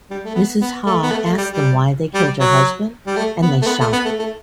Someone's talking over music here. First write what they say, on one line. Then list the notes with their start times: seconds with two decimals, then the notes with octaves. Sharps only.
Mrs. Ha asked them why they killed her husband and they shot her.
0.10 G3
0.25 A3
0.35 B3
0.61 B3
0.86 A3
1.02 B3
1.11 A3
1.25 A3
1.38 G3
1.50 G3
2.14 G3
2.40 F#3
3.07 G3
3.16 A3
3.42 B3
3.62 A3
3.67 B3
3.80 A3
3.92 B3
4.05 A3
4.19 A3